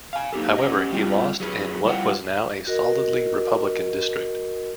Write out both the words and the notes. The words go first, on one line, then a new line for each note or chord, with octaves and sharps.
However, he lost in what was now a solidly Republican district.
F5 G#5
A#3 D#4 F4 G4 A4
C#4 G4 D#5
G3 A3 C4 F4
F#3 G#4 B4
G3 E4 F4 C5 F#5 G5
F#4 A#4 D#5